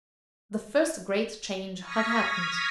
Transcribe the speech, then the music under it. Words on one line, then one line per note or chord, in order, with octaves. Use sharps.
The first great change had happened.
C#6 D#6 F6 G#6 A#6 B6